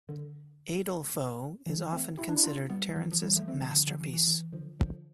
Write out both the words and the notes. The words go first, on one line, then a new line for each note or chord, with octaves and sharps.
"Adelphoe" is often considered Terence's masterpiece.
D3
E3
A3 C4
E4 G4
D4
E4
D4 F4
G3 B3
E3
F3
E3 G3
F3 A3
A3 C4
D3 F3
D3 F3
D3 F3
E3
E3
E3
D3 F3
D3 F3